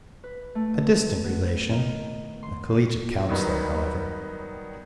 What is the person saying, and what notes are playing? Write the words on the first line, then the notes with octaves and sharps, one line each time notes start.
A distant relation--a collegiate counsellor, however.
B4
A3
B3
D#3
C6
D#3 F#3 G3 B3